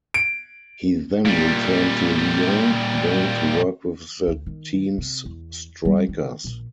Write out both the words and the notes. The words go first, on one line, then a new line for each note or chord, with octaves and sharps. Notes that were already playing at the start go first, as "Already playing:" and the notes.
He then returned to Lyon, going on work with the team's strikers.
D7
A#2 G3
D2
D#3
C3
E2
G3
D#3
A#1